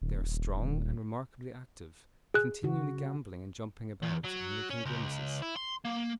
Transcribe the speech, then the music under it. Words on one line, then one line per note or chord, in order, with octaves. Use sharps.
They are strong and remarkably active, continually gambolling and jumping about, and making grimaces.
D#1
G#4 F#6
C#3 F#4
E2
F#3
C#4
C#2
E4
C6
A#3